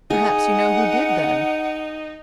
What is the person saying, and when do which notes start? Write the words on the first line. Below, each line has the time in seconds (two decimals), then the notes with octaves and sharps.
"Perhaps you know who did, then?"
0.10 D#4 G#4 F#5